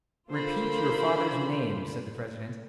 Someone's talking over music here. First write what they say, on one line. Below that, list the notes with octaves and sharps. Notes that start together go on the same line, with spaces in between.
"Repeat your father's name," said the president.
D3 F4 A#4 C5 B5